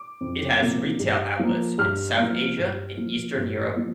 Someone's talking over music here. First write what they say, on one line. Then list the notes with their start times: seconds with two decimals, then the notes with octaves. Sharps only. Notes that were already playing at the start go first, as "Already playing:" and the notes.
It has retail outlets in South Asia and Eastern Europe.
Already playing: D6
0.21 F2
0.60 C3 F3 A#3
1.00 G2
1.39 F3 A#3
1.78 G2 F6
2.18 A#3
2.23 F3
2.58 G2
2.97 F3 A#3
3.36 G2
3.76 F3 A#3